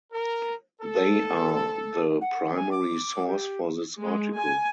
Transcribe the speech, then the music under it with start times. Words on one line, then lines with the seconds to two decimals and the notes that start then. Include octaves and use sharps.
They are the primary source for this article.
0.12 A#4
0.81 A4
2.21 F#5
2.56 G#5
2.71 D6
3.27 G4
4.00 G#3
4.36 G#5